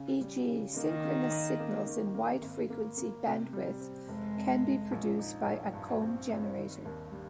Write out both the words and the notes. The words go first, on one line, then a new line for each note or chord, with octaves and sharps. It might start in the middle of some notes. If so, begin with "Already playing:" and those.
E.g., synchronous signals in wide frequency bandwidth can be produced by a comb generator.
Already playing: C#3 C#4
G3
C#3
D#3 A#3
A#3
D#4
A#3
D#3
A#3
G#1
A#3
A#3
C3
G3
C4
F1 G#3
F1
F1
A#1
D#4
A#1
G2
C4
G2
D#3
D#2
G3